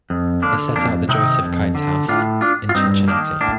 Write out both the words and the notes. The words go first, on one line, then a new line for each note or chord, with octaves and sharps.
They set out for Joseph Kite's house in Cincinnati.
F2
D3 A#3 D4
F2 A#3 D4
C3 D#3 C4 D#4
F2
D3
A2 D4 F4
D4 F4
F4
G2 C4 D#4
D#3 A#3 D4
A2 A#3 D4